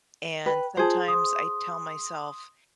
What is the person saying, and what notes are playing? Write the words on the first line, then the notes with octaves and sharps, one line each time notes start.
And sometimes I tell myself,
B4 G5
F4 G#4 C5 G#5 A5
C6 D#6